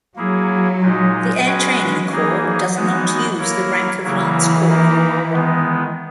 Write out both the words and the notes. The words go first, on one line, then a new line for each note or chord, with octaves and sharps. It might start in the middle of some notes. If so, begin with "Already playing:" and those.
The Air Training Corps does not use the rank of lance corporal.
F#3 A#3 E4 G#4
A#2 G#3 D#4
F#3 G#3 C#4 F#4 B4
E3 A#3 D#4 G#4
E3 G#3 B3 D#4 F#4
A#3 E4 A#4 C#5
C#3 E3 F#3 A#3 E4
A#3 D#4 A#4
D#3 G#3 B3